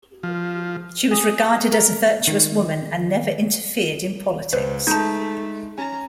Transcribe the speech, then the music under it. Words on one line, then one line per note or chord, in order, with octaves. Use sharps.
She was regarded as a virtuous woman and never interfered in politics.
F3
G#4
A#4
D#3
C#2 B4 C5
G#3 A3 D#4 A5 G6
C#4 G#5 A#5